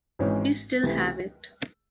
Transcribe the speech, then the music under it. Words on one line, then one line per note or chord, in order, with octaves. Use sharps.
We still have it.
G#1 G#2 E3 G#3 C#4
C#2 C3 E3 A3